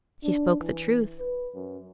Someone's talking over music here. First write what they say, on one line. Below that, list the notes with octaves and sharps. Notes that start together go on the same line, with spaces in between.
She spoke the truth.
D4
E3
B4
F#2